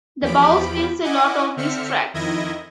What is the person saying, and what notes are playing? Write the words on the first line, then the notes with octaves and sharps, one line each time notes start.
The bowl spins a lot on these tracks.
E2 F3 G4 B5 D7
E4 D#5 F#5 G#5 D6
D3 C4 E5 F6 C#7
F2 D#3 E4 D#5 G#6 A#6